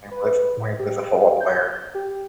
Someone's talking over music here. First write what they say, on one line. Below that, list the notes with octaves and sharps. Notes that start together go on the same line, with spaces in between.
When he plays when he plays a football player.
B4
A2
G4
G6
G4